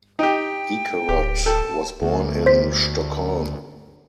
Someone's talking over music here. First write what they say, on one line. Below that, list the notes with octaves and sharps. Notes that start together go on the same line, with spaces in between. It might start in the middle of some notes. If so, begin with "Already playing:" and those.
Ekerot was born in Stockholm.
D#4 G4 G5
D1 G4
A4 G5 A5
D2
C5 B6